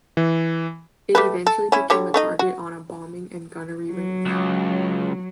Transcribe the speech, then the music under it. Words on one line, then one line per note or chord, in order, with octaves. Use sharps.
It eventually became a target on a bombing and gunnery range.
E3
G3 A3 B4
A4
C#4 E4
D3 G3 C#5
A3 D#4 D#5
F#4
F#3
C#2